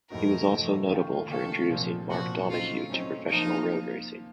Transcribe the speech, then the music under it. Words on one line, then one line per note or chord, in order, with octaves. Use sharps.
He also was notable for introducing Mark Donohue to professional road racing.
A2 F3 A3 D#4 F#4 A#4
A2 F3 A3 D#4 F#4
D#3 A3 C#4 F4
D#3 A3 C#4 F4 A4
A#2 F3 C4
A#2 F3 C4 F#4
C#3 F#3 A3 C4 D#4 F4
C#3 F#3 A3 C4 C#4 D#4
F3 A#3 D#4 F4